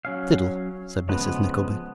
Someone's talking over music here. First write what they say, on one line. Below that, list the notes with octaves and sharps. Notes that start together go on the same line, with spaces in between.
'Fiddle,' said Mrs Nickleby.
F#3 C#4 F5
C#3 F3 G#3 B3 B4